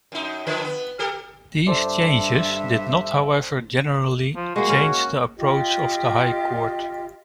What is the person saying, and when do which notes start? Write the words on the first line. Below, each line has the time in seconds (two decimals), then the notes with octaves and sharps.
These changes did not however generally change the approach of the High Court.
0.12 F#2 D#4
0.47 D3 F3 B4
0.64 B3
0.99 G4 A4 A#4
1.67 G2 A4 C5 D5 E5
4.36 F3
4.56 G#3 A#3 F#4
4.69 C#4 A#4 C#5
5.37 F4 G4 D#5